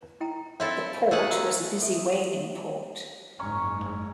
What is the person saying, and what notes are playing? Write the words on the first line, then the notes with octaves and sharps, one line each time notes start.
The port was a busy whaling port.
E4 G5 A#5
C4 E4 A4 C#5 E5 F5
A3 G4 G#4 A#4 B4 F#5
F#4 A#5 E6
A4 E5
F#1 G#2 C#4 A#5 C#6